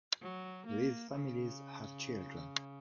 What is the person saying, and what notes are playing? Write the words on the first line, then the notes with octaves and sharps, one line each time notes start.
These families have children.
F#3
A#3
C#3